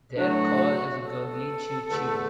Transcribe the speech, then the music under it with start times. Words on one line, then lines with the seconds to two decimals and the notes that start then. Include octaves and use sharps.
Their call is a gurgly "chew-chew".
0.16 A2 F#3 A3 D4 F#4
1.03 A4
1.90 E2 D3 A3